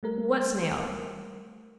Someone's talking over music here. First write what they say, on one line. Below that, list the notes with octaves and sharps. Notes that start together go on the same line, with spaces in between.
"What snail?"
G3 A3 A#4